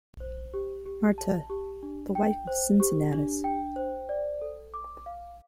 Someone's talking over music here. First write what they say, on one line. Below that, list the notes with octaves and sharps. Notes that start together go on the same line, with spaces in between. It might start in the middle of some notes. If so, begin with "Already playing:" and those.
Marthe- The wife of Cincinnatus.
C5
G4
G4
A5
G4
D4
G5
C5
G4
D4
G5
C5
D5
A4
D6
F5